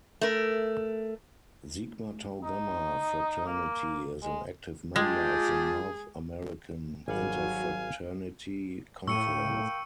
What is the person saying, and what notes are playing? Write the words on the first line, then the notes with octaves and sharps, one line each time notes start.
Sigma Tau Gamma Fraternity is an active member of the North-American Interfraternity Conference.
A3 A#4
D#4
A#3
G#3
G#3 F4 G4 G#4 A5
G#1 F#3 G3 F5 F#5 G#5
A2 A#4 F5 G5 C#6 E6 C#7 D#7